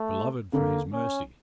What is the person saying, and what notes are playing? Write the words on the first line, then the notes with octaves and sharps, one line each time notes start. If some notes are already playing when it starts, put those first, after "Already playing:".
Beloved for his mercy!
Already playing: A3
D3 A#3
C#4